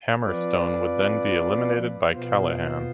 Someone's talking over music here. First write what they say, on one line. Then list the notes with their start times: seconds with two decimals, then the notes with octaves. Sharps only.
Hammerstone would then be eliminated by Callihan.
0.23 F3 C4 F4 B4 D5
2.11 B2 B3 F4 C5